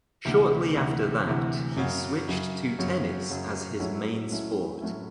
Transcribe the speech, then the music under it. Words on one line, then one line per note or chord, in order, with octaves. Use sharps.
Shortly after that he switched to tennis as his main sport.
D2 C3 E3
D2 C3 E3
D2 C3 E3
F#2 C#3 F#3
F#2 C#3 F#3
F#2 C#3 F#3
F#2 C#3 F#3
A2 F#3 A3 C#4 E4
A2 F#3 A3 C#4 E4
A2 F#3 A3 C#4 E4